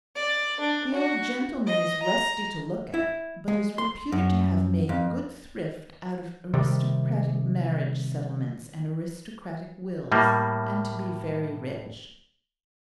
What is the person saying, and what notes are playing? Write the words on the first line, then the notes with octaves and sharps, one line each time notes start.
The old gentleman is rusty to look at, but is reputed to have made good thrift out of aristocratic marriage settlements and aristocratic wills, and to be very rich.
D5
D4
F#4
D#5
A#5
E4
G#3
C6
F#2
F2
C3 D#3 G3
A2 G3 A#3